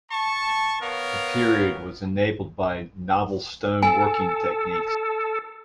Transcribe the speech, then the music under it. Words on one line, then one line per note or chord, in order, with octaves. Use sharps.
The period was enabled by novel stone working techniques.
A5 C#6
B3 A#4 C#5 F5
A4 G#5